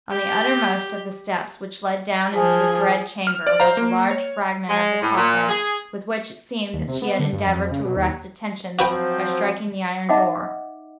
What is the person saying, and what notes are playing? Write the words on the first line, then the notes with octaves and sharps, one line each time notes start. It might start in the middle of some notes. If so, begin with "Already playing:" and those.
On the uttermost of the steps which led down into the dread chamber was a large fragment of the coffin, with which, it seemed, that she had endeavored to arrest attention by striking the iron door.
G4
F3 G#4
F6
D5
C5 F5 A#5
A#3
C#5
G#3
A2
A#2
G#4
D#2
C3
B3
D3
G2
F2
F2
C#3
B2
D#2
F3 F#3 C4 F#4 B4 G5
D#4 D#5 E5 F#5 D6